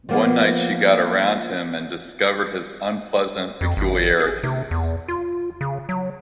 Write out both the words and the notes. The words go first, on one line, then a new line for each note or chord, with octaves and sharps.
One night she got around him and discovered his unpleasant peculiarities.
F3 A#3 B3
F2
G#1
G#4
C3
E2
F4
C#3
F#3